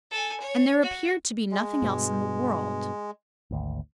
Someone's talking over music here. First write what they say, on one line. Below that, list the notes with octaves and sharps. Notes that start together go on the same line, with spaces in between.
And there appeared to be nothing else in the world.
A4 G#5
C#5
F#4
G#3
G2 B2
G#1 D2